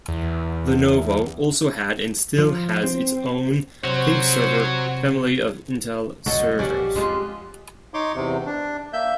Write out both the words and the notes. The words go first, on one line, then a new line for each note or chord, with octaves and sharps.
Lenovo also had and still has its own ThinkServer family of Intel servers.
E2
F3
C4
C3 F#4 C5 C#5
C#2 F#2 B2 F#4 A4 C#5 D#5
A#1 G#2 C#4 G4 D5 F#5
F2 G#3 F4
D#4 C#5 C6 D6
E2 C3
D4
A#3 E5 G6